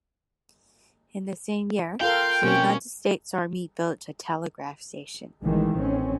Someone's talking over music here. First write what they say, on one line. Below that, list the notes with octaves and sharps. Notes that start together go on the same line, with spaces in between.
In the same year, the United States Army built a telegraph station.
F4 A4 A#4 F5 G5 C6 G6
B2 A#3 C4 C#4
A1 D#3 E3 G#3
A1 C4 C#4